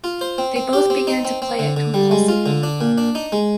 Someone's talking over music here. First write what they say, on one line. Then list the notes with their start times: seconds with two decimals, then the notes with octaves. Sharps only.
They both began to play it compulsively.
0.04 F4
0.21 C5
0.38 C4
0.56 C4
0.73 G4
0.90 C4
1.07 D#4
1.25 C4
1.42 C4
1.59 D3
1.76 D3
1.94 G3
2.11 G#3
2.28 F4
2.46 D3
2.63 D4
2.81 A#2
2.98 D4
3.15 D#4
3.32 G#3